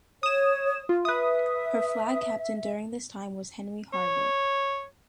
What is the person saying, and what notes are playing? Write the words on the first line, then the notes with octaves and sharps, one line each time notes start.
Her flag captain during this time was Henry Harwood.
C#5 D#6 E7
F4
B4 E5 D#6
C#5